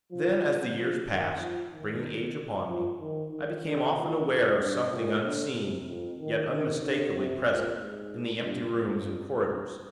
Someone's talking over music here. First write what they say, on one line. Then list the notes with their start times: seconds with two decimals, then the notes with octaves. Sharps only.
Then, as the years passed, bringing age upon me, I became often aware of something unseen, yet unmistakably present, in the empty rooms and corridors.
0.12 F3
0.76 F3
1.07 D#3
1.40 F3
1.72 D#3
2.67 F3
3.00 D#3
3.31 D#3
3.63 D3
3.95 A#2
4.27 F2
4.59 G2
4.91 A#2
5.23 D3
5.55 C3
5.86 F2
6.19 D#3
6.51 D#3
6.83 D3
7.14 C3
7.47 A#2
7.78 G#2
8.42 G2
8.74 F2
9.38 G2